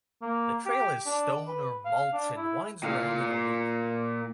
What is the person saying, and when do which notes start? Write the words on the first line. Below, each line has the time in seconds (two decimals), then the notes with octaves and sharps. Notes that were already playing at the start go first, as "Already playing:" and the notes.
The trail is stone or mulch and winds around in a loop.
0.22 A#3
0.66 G4
1.06 D4
1.48 B4
1.85 F5
2.13 D4
2.37 E4
2.83 A#2 F5